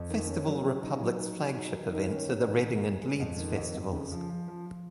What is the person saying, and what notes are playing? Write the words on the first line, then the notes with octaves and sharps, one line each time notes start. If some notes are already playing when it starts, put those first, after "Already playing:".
Festival Republic's flagship events are the Reading and Leeds Festivals.
Already playing: F2
D#3
C#4
F#3
C#3
D#4
F#3
D#4
F#3
D#4
D#3
D#3
C#4
A#3
D#3
A#3
G#3
G#3
F2
D#3
F2
F2
C#3
F3
F3
F3
F3